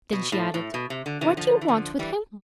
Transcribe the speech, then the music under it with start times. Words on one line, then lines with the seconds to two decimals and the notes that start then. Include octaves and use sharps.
Then she added: "What do you want with him?"
0.12 B2
0.32 A2
0.54 A2
0.74 B2
0.90 C3
1.06 D3
1.21 C3 E3
1.37 D3 F3
1.61 E3
1.68 D3 F3
1.99 E3 G3